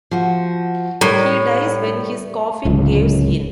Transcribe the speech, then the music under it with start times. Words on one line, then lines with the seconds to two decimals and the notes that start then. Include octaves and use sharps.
He dies when his coffin caves in.
0.11 F3 F#4
1.01 A2 G3 A#4
2.65 D1 C#2